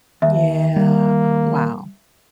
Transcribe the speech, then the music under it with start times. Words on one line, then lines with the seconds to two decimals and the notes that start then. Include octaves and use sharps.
Yeah, wow.
0.22 D#2 E5
0.76 G3 A#3